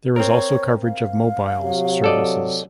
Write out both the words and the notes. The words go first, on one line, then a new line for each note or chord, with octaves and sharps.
There is also coverage of mobiles services.
C4 A#4 C#5
F5
C3 F#3 G4
A4 D5 D#5